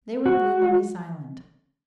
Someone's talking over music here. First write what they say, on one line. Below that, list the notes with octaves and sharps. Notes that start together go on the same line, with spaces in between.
They were gloomily silent.
F#4